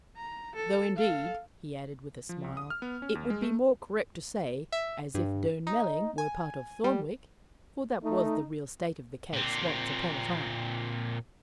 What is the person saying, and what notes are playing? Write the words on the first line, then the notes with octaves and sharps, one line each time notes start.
"Though, indeed," he added, with a smile, "it would be more correct to say, 'as if Durnmelling were a part of Thornwick'--for that was the real state of the case once upon a time."
A#5
A4
A4 F5
F3
C2
D#6
F6
B3
C#4
D#2
G#3
A3
E5
G2
D#4
G#5
G3
A3 D#4
A#2 C4